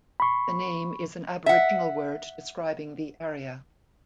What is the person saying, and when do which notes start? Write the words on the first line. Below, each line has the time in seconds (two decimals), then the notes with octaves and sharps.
The name is an Aboriginal word describing the area.
0.20 B5 C#6
1.46 E5 F#5